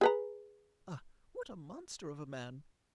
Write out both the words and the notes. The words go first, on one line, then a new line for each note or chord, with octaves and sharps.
Ah! what a monster of a man!
G#4 B4 A#5